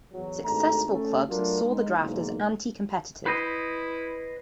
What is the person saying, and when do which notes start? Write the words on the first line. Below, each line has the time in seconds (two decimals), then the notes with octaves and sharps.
Successful clubs saw the draft as anti-competitive.
0.12 E2 F#3
0.43 G#1 C3 A3 D4 A4 A#5
0.89 A3 C#4
1.29 F#3 A3 D4 F4 F#4 A#4
1.62 G#3 D#4
1.96 B1 E2 G#2 C#3 E3 A#3
3.26 E4 B4 C5 D#5